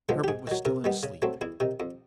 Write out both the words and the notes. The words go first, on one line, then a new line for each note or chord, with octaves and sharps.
Herbert was still in a sleep.
D3 F3 G#3 B3
G4
G#2 G#4
D#3 F#3
C3 A#4
D#3 G3 B3
C#3
F#3 A3 C4
E2 E4
C3 D#3
F2